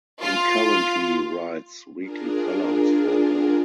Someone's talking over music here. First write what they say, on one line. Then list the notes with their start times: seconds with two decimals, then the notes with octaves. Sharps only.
He currently writes weekly columns for "Dawn".
0.22 F4
1.99 D4 F4 G#4 A#4